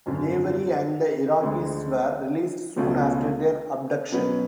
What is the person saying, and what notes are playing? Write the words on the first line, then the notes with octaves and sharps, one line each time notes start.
Dewari and the Iraqis were released soon after their abduction.
G#1 F#2 D3
D2 D3 G#3
C#2 B2 A3 C#4
B2 F#3 C#4 F#4 B4